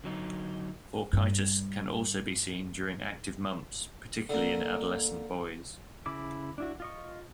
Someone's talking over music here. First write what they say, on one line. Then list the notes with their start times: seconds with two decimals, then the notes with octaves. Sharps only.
Orchitis can also be seen during active mumps, particularly in adolescent boys.
0.04 D3 F#3 D#4
1.13 G2 G3
4.29 D3 A#3
6.06 C#3 E4 D6
6.58 D4 E4 F#4
6.80 F4 D#5 C#6